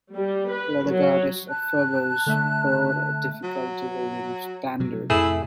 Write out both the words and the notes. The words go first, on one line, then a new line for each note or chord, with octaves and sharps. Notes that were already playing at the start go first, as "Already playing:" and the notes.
"Leather Goddesses of Phobos" bore a difficulty rating of "Standard".
G3
B4
F#3
A5 F#6
D3 A3 E5
F#3
C3 F#3
F2 A2 C3 A3 E4 G#4